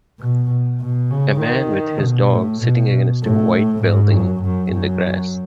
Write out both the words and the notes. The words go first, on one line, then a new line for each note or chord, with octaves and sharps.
A man with his dog sitting against a white building in the grass.
B2
B2
C#3
D#3
B2
A2
B2
A2
G#2
F#2
F#2
F#2